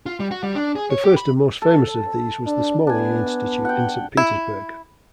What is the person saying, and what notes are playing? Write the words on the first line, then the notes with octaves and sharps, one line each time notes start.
The first and most famous of these was the Smolny Institute in Saint Petersburg.
F4
G3
F#4
G3
D4
G#4
C#5
G4
B5
A4
D4
B3 D4 G#5
F#5 G5
E4